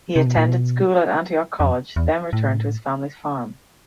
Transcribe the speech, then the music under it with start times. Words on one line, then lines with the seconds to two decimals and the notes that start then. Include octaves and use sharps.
He attended school at Antioch College then returned to his family's farm.
0.16 C3
0.26 B2
0.37 A#2
0.48 B2
1.60 F2
1.96 E2
2.33 A2